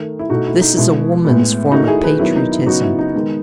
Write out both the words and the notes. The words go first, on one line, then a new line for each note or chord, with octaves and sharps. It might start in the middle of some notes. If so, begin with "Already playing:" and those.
This is a woman's form of patriotism.
Already playing: D#3 A3
E4
B2 A3 D#4 F#4
E4
D#4
B2 G#3 B3 E4
A2 G#3 B3
D#3 A3 D#4 F#4
E4 G#4
G#4 B4
D#3 F#3 B3 E4
D#4
E4
C#3 F#3 B3 D#4 F#4
E4
D#4
D#3 G#3 B3